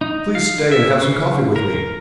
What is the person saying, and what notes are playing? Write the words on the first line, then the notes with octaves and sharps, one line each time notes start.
"Please stay and have some coffee with me."
D#4
F5
E5
C#3
A#4